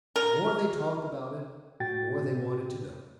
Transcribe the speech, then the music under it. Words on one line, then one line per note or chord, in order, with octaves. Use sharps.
The more they talked about it, the more they wanted to know.
A#4
A2 F#4 G5 A6